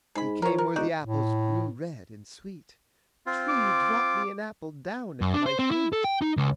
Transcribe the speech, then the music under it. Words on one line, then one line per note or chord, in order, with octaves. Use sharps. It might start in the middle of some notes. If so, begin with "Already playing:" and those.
He came where the apples grew red and sweet: "Tree, drop me an apple down at my feet."
G#2 G#4 B5
F3 A#4 C#5
A#4
E1 D#4 F#4 D5
A2
C4 F4
D6
F#2
D4
C5
C4
E4
A4
G5
D#4
C#2